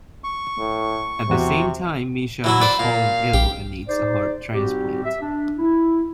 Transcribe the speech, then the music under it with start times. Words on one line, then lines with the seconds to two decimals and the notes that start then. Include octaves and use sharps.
At the same time, Misha has fallen ill and needs a heart transplant.
0.24 C#6
0.59 A2
1.30 E2 C3 F#4 G4
2.44 E3 F#3 E4
2.62 B4 C5 D5
2.80 A#2 F5
3.34 A#1 G4
3.88 D#4 G#4 C5 D5
4.54 G#2 G3 C4 F#4 G4
5.04 E5
5.21 D4
5.58 E4